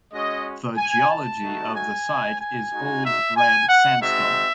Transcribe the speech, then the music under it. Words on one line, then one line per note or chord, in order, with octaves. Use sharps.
The geology of the site is old red sandstone.
G#3 C#4 F#4 D#5
G#5
A5
A3 D#4 F#4
G#5
G#5
G#3 D#4 F#4
E5
G#5
F#5
G#3 C4 D#4 F#4 E5